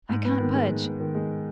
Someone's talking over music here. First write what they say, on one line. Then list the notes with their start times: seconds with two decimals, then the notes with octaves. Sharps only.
"I can't budge."
0.09 G#2
0.25 B3
0.40 D#3
0.55 G#3
0.70 G#2
0.84 B3
1.00 D#3
1.15 G#3